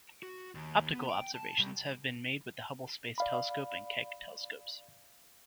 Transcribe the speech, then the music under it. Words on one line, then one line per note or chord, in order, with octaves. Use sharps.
Optical observations have been made with the Hubble Space Telescope and Keck Telescopes.
F#4
D#2
B3
G5
A5
C3 G3
D5 F5 B5